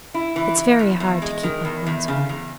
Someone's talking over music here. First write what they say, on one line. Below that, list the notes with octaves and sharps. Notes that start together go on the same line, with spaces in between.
It's very hard to keep up one's heart.
E4
E3
E3
E2
E2
G#3
D#3
E2
E2
C#3
E2